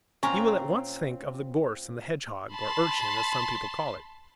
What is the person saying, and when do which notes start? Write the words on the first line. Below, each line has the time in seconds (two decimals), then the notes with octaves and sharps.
You will at once think of the gorse and the hedgehog, or urchin, as some people call it.
0.23 A#2 C4 C#4 A#5
2.52 A5 B5 C6